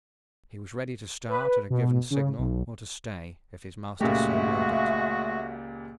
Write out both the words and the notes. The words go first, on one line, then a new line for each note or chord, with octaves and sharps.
He was ready to start at a given signal, or to stay, if his master so willed it.
B4
B2
C#3
B1
C#2 A#2 G#3 A3 F#4 G4 E5 F5